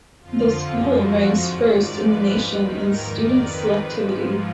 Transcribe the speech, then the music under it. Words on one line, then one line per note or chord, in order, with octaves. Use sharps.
The School ranks first in the nation in student selectivity.
F2 D3 F3 F4
F#2 D3 F3
F2 F3 F#4
G#2 F3
G#2 D#3 D5
G#2 F3 B4
D#2 D#3
G#2 D#3 A#4
F2 D#3 D5
F2 D#3 B4
G#2 F3